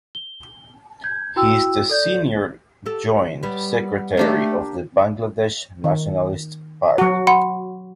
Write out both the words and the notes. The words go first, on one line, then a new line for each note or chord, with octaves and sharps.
He is the Senior Joint Secretary of the Bangladesh Nationalist Party.
G7
G6 G#6
E4 F#4 G5 E6
A4 D5 G6
G4 A4
G3 B3
A3 A#3 D4 G4
D#3
F#3 F#4
F#5 B5 C6